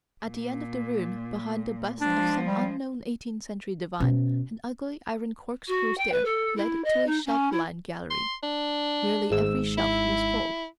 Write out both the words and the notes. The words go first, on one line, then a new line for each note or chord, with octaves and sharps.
At the end of the room, behind the bust of some unknown eighteenth-century divine, an ugly iron corkscrew stair led to a shelf-lined gallery. Nearly every shelf was full.
A#2
F3 G#3 D4
G3
B2 C#4
F#4
G5
B4
A4
E4
D#5
D#4
C#4
E4
C6
D4
G#1 G#2 E6
E4